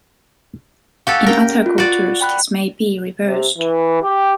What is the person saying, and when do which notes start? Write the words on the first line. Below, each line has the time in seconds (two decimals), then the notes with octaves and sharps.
In other cultures, this may be reversed.
1.07 F#4 G4 A4 F5
1.26 C#4 A#4 G5
1.66 F4
1.78 F#4 D5
2.21 G5 B5 F#6
3.25 C3
3.58 E3
4.02 G4